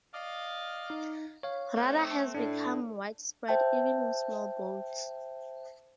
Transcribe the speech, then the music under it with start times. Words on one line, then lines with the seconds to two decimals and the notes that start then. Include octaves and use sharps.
Radar has become widespread even in small boats.
0.14 D5 D#5 F5
0.90 D#4
1.43 C#5 F5
1.76 A3 C4
2.35 A2 D4
3.48 C5 E5 G5 A5 G6